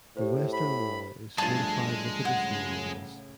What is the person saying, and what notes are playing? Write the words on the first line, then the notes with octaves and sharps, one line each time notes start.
The western wall is fortified with additional walls.
A2 G4 C5
B5
G2 F3 G#3 A3 D4 A5
A2 C#3 F#5